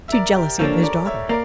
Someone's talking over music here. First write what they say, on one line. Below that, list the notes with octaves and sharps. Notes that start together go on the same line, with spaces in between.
"To jealousy of his daughter."
E5
A#4 D5
G4 A#4
F3 A#3 D4 A4 C#5
C#5
A#4 D5
C#5 E5
A#3 A#4 D5